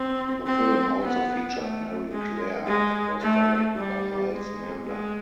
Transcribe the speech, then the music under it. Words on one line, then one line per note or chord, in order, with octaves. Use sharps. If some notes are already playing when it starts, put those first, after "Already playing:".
The film also featured Mary Clare and was directed by Miles Mander.
Already playing: C4
C4
B3
A3
G#3
G#3
A3
G3
G#3
G#3